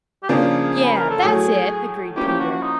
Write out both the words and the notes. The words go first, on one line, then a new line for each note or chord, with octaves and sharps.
"Yes, that's it," agreed Peter.
G4
C#3 F3 A#3 D4 G#4
B4
A#4
A4
A2 F#3 A3 G#4
F3 A#3 C#4 E4 G4
G4
F#4
F#4
D#4